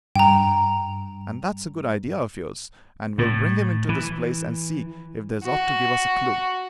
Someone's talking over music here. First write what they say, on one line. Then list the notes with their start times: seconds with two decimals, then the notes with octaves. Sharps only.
And that's a good idea of yours, and we'll bring him into this place and see if there's aught to give us a clue.
0.16 G2 G5 A#5
3.18 A2
3.89 E3
5.44 F#4